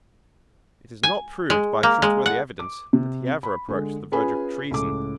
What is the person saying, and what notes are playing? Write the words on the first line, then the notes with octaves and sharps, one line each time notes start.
It is not proved by trustworthy evidence that he ever approached the verge of treason.
G#5
G#3
A#3
G#3
F#5
D6
C3
B5
D3 G#3
C#4 F4 G#4 B4 G#5 B5
C#2 A2 D6